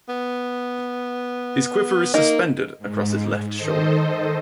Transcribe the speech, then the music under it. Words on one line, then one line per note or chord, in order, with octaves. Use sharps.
His quiver is suspended across his left shoulder.
B3
A#3 D#4
G#2
D#3 A4 C5 D#5